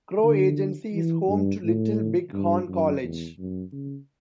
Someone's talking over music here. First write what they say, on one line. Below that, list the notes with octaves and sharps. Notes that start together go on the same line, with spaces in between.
Crow Agency is home to Little Big Horn College.
D3
E3
G2
A2
G2
F#2
E2
F#2
C#3